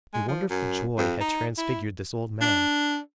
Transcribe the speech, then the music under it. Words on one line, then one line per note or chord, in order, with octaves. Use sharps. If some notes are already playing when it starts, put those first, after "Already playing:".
A wonderful joy had transfigured this old man.
G#3
F3
F#2
F2
D#4
E4
D4